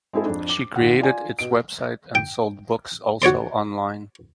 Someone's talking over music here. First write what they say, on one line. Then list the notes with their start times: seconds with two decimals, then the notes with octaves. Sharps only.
She created its website and sold books also online.
0.13 G#3 C4 E4 G#4 A4
0.25 F2 D4
0.49 D6
0.76 D#2 F#4 F#5
1.00 F4 D5 G#5
1.39 B2 D7
2.15 G5
3.22 F#4 C#5 D5 C6